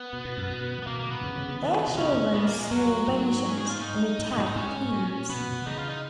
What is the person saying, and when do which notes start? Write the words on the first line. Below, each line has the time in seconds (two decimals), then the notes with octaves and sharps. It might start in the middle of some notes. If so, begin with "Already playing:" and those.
Their children swore vengeance and attacked Thebes.
Already playing: B3
0.13 B2
0.25 B2
0.37 F#2
0.50 B2
0.82 B3
0.87 B2 A#3
0.99 A#3
1.11 B3
1.24 C#3
1.36 C#3
1.48 C#3
1.61 D#3
1.87 B2
1.97 C#3 C#4
2.34 A#2 B3
2.46 A#3
2.59 G#3
2.71 F2 F#3
3.08 G#2
3.46 C#4
3.57 G#4
3.66 D#4
3.69 F4
3.77 C#4
3.82 D#4
4.19 G#2
4.46 D#4
4.56 G#2 C#4
4.92 A#2
5.29 B2 B3
5.66 C#3 D#4
5.79 F4
5.89 D#4